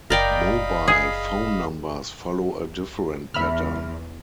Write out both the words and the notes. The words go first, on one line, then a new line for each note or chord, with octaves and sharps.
Mobile phone numbers follow a different pattern.
F#1 A#4 D5 D#5 F5 G5 B5
G#4
E2 E5 B5 F6